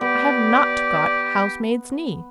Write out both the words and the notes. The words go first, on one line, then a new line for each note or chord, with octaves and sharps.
I have not got housemaid's knee.
B3 G4 D5